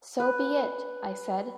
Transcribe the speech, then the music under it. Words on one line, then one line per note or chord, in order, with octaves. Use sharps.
"So be it," I said.
B4